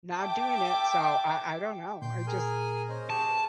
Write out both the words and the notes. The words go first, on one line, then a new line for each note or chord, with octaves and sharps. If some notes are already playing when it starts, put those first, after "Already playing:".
not doing it, so, I I don't know, I just
E5 G5 A5 D6
A#2 G5 C6 G6
G#4 A#4 G#5
C#4 C5 D#5
G4 G#4 A5 C#6
B4